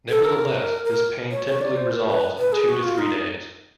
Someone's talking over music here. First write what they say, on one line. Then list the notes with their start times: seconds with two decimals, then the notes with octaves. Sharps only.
Nevertheless, this pain typically resolves in two to three days.
0.09 A4
0.24 A#4
0.85 A#4
1.31 C#5
1.47 C#5
1.61 D5
1.76 C5
1.91 A#4
2.07 B4
2.38 B4
2.52 G#4
2.69 F#4
2.83 F4
2.98 D#4